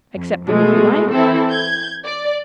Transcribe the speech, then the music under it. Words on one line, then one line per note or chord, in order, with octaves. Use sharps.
Accept them if you like.
F2
B2 G#3 A3
E3 C4 E4 A4
G6 G#6
D5